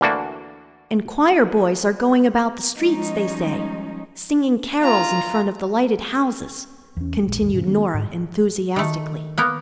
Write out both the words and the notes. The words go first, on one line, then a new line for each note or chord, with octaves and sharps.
"And choir-boys are going about the streets, they say, singing carols in front of the lighted houses," continued Norah enthusiastically.
D2 E3 A#3 D4 F#4
F3 G3 G#3 C#4 D#4
F4 A#5
E2 C#4
A#1 G#3
A1 D#2
G#2 C#3
D#3 A#3 B3 D4
G#2
D#3 A3
A#3 B3 A#4